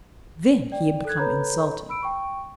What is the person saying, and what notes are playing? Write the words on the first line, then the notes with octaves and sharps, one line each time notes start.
Then he had become insulting.
D5 G5
A4 F#6 G#6
A4 B4 C#5 A#5 B5 G6
B5 E6 D7
G5 C#6